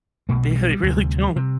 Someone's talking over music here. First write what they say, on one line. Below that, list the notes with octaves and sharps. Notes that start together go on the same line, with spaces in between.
Yeah, they really don't.
B1 B2 A3
G3
A3
G3
G3
D2 C3
C3